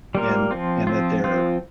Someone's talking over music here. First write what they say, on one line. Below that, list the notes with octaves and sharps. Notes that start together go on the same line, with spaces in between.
and and that they're
G3 A#3 F4 A#4
F3 C4 F4
F3 C4 F4
F3 C4 F4